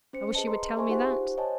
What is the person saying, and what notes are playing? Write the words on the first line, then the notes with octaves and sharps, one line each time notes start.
"I wish you would tell me that."
C#4 C5 C#7
G#4 B4 D#5 A5
D#5 A5 A#5 C6
G#4 C5 E5 G#5 C6 C#6
D#4 F4 G4 C5 F#5
C5 C#5 D#5 F#5 G#5 A5